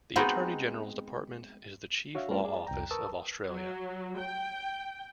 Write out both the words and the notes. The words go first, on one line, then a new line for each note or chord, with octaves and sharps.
The Attorney-General's Department is the chief law office of Australia.
G#3 B3 C4 D#4 F#4
D4 F#4 C#5 E5 F5
G3 A3 C#4 F4 A#4 C5
G#4 D5
C2 F2 G5 A#5
A#4 B4 A5 C#6 D#6 E6
F#3
G5